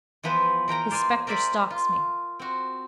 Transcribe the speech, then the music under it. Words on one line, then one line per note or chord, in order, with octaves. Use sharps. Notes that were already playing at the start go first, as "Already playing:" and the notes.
His spectre stalks me.
E3 F3 B3 B4 C5
E3 A#4 G5 A#5
C5 D5 F5 G#5 C6
A#4 C5 D5 E5 G#5 B5
F4
C4 F#4